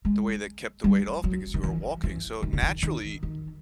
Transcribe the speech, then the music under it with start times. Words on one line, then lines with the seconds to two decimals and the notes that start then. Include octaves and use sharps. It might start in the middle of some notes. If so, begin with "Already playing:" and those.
the way that kept the weight off because you were walking, so, naturally,
0.05 G#3
0.84 G3
1.24 F#3
1.54 D#3
1.63 E3
2.04 E3
2.42 D#3
2.53 D3
2.62 D#3
2.83 D#3
3.23 D#3